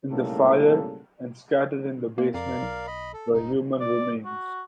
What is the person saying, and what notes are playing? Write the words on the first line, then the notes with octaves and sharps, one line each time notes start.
In the fire, and scattered in the basement, were human remains.
B1 A2 C#3 G3 A#3 A4
G#3 A#3
F2 A#4 D5 F5
B1
D#5 B5
A4
F1 D#4
D5
F#4